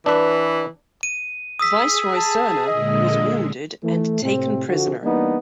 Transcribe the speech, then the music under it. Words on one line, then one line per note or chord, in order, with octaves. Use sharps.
Viceroy Serna was wounded and taken prisoner.
E3 D4 B4
D#7
G#4 D#6 E6 B6
A5
A#2 D3 G#3 D#5
E3 A3
A2 C3 C4
D3 F3 F#4
E3 G3 A#3 B3 D4 D#4